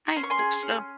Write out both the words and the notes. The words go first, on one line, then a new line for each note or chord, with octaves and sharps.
I hope so.
C#4 C6
C#6
G#5 C6
G#4
C#4